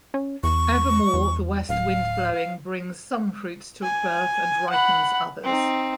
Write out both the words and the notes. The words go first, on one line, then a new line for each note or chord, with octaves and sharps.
Evermore the west wind blowing brings some fruits to birth and ripens others.
C#4
E2 C#6
E2
D1 F5
G#5
F#5 B5
C4 D#4